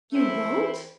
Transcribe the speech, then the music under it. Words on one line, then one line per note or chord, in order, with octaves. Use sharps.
"You won't!"
E3 A3 C4 E4